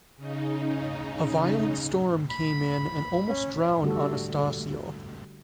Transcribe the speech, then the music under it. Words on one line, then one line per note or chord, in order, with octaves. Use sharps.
A violent storm came in and almost drowned Anastasio.
C#3 D#4
B5
C#4
D3 G3 A3 F#4 A4